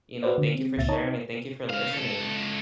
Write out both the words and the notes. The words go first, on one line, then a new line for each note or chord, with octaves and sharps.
you know, thank you for sharing it. Thank you for listening
F#4 B4 C5 D5
D3
C4
C#2 A#2 C#3 E5 A6
D#4 C#5 D#5 A5 A#5
C#3 F5
C#2 A4